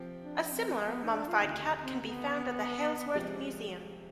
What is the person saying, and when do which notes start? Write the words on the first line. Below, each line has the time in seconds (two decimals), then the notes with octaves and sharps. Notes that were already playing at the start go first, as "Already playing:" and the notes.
A similar mummified cat can be found at the Halesworth Museum.
Already playing: C3 F3 C4 G4
0.23 D4
0.44 D4
0.52 C4
0.81 B3
1.04 D#4
1.10 D4
1.28 F4
1.39 D2 C3 D#3 D#4
1.83 C4
2.04 B3
3.13 C2 C3 F3 G#3 C4